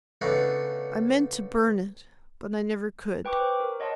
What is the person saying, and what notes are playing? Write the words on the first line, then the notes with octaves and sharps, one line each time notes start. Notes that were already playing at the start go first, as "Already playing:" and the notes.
I meant--to burn it--but I never could.
C#3 A3 B3 D4 D#4
B4 G5 C#6 D6
C5
A#4
C#5 D#5 F#5 A5 C6